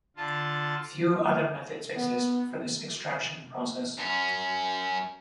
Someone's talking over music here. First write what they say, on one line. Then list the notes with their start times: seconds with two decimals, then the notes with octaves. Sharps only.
Few other methods exist for this extraction process.
0.16 D3 F4 A5
1.95 B3
3.98 F#2 C#4